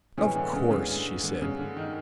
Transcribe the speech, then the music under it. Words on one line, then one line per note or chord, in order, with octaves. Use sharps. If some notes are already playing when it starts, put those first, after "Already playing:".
"Of course," she said.
A2 C#3 E3 G#3
D3
C#3
C#3
D3
D3
C#3
D3
D#3